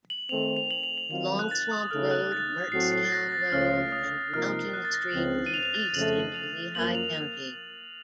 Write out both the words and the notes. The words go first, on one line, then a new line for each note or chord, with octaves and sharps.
Longswamp Road, Mertztown Road, and Mountain Street lead east into Lehigh County.
F#7
D#3 A3 C4 F7
F7
F#7
F7
F#7
D#3 F#3 C4 F4 F7
F#6
A6
D#6
C#3 A3 D#4 A4 F6
F#6
A6
A2 F#3 C4 F#4 A4 C7
C7
A6
A#6
A6
C#2 C#3 A3 C#4 F4 F6
D#6
C3 F3 A#3 D#4 A#4 F6
F#6
A6
A#6
C#2 C#3 F3 C4 F#7
D#7
F7
A6
F2 C#3 F3 A3 F#7
F#7
F7
F#2 F3 A#3 F#7
F7